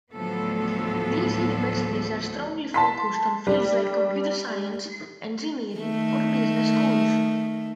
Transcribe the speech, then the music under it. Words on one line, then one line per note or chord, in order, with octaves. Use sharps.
These universities are strongly focused on fields like computer science, engineering or business schools.
D2 A2 F3 F#3 B3 A4
A5 C6 B6
G3 D4
D#3 A3